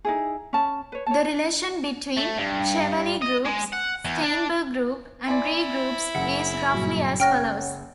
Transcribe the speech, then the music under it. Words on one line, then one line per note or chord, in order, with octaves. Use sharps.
The relation between Chevalley groups, Steinberg group, and Ree groups is roughly as follows.
D#4 E4 G#4
C#4 A5
B4 C#5
C#5 A5
A3
G2
D#5
G#3
F#5
E2
D4
E4 D5 G#5 C6
F#1 F#2 F#5
G2 A#2 F#3
C#4 C#5 F#5 G5 F6 A#6